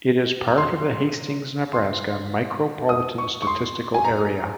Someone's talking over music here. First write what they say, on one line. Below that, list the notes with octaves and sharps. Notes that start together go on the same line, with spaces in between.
It is part of the Hastings, Nebraska Micropolitan Statistical Area.
A#5
C6
C6
D#6
C#6
C#6
C6
G#5
A#5